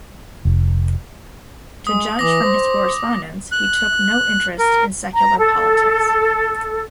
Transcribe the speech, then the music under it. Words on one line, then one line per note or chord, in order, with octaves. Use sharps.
To judge from his correspondence he took no interest in secular politics.
F1
G#3 D#6
E3 D6 A#6
C5
F#6
A#4
A#5
A4